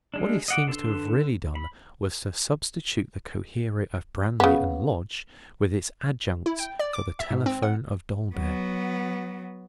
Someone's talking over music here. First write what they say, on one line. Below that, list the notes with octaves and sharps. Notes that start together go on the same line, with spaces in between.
What he seems to have really done was to substitute the coherer of Branly and Lodge, with its adjuncts, for the telephone of Dolbear.
G3 G#3 D4
D#5 F#5 D6
D3 D4 A4 B4 C6
B5
C#3 B3
E4
G5
D5
D6
E5
G#2
C4
F#5
F#3 B3